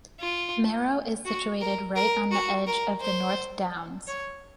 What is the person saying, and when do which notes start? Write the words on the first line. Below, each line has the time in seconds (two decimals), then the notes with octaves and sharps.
Merrow is situated right on the edge of the North Downs.
0.20 F4
1.25 F#4
1.61 A#4
1.96 A#4
2.31 F#4
2.67 A#4
3.01 C5
4.07 C#5